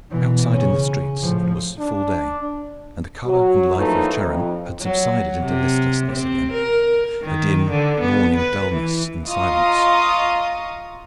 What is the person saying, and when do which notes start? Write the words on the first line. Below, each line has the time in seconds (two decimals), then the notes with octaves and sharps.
Outside in the streets it was full day, and the color and life of Charin had subsided into listlessness again, a dim morning dullness and silence.
0.10 B2 E3
0.52 C#3 C#4
1.22 A2 F3
1.79 D4
3.25 F#3
3.76 F#2 E3 F3 A3 A#3 D#4
4.21 F2
4.81 F#3
5.41 C3
6.12 C4
6.52 A#4
7.22 D#3
7.70 D3
8.00 B3
8.37 B4
8.72 E3
9.27 F4 D#5 F5 A#5 C#6 D#6